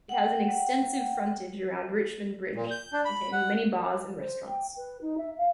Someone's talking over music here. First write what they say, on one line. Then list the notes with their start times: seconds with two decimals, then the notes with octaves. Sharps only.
It has an extensive frontage around Richmond Bridge, containing many bars and restaurants.
0.09 F#5 G5
2.56 A#2
2.71 G6
2.93 D4
3.05 B5
3.32 F#5
4.18 C5
4.47 G5
4.76 B4
5.01 D#4
5.17 E5
5.37 F5